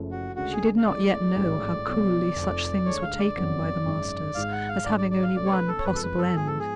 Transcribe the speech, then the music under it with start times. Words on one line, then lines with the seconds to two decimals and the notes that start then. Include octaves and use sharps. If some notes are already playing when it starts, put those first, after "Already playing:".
She did not yet know how coolly such things were taken by the masters, as having only one possible end.
Already playing: F#1 F#2 C#3 F3 A3
0.11 F#4
0.36 D2 C#3 G#3 F#4
0.52 G#4
0.77 F5
0.86 A1 A2 G#3 D5
1.36 A1 G#2 F#3 A3
1.86 B1 B2 F#3
2.36 F1 F2 F3
2.85 D2 D3 G#3 D4 C#5
3.02 F5
3.19 D5
3.35 F#1 F2 C#3 F#3 B3
3.85 G#1 F#2 C#3 G#3
4.35 G#1 G#2 G#3 F5
4.52 F#5
4.69 F5
4.85 G#1 G#2 G#3 D4 D5
4.98 D5
5.11 D5
5.23 F5
5.35 B1 B2 A3 C#4 D5
5.46 C#5
5.52 B4
5.68 A4
5.79 C#5
5.85 F#1 F2 F3 G#3 B4
5.95 A4
6.03 B4
6.18 A4
6.35 G#2 F3 B3 F4 G#4
6.47 A4
6.60 G#4